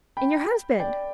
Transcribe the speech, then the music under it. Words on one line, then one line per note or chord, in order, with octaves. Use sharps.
And your husband?
G5 B5
D5 G5